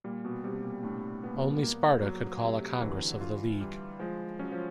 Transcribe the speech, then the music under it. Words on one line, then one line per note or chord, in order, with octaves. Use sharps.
Only Sparta could call a Congress of the League.
A#2 G3
B2
C3 G3
B2
A#2
A2 D4
A#2 B3
B2
A#2
A#2 A#3
F#3
C3 A3
D3 E3
F4
G3
F3 G#3
F#3 C#4
F3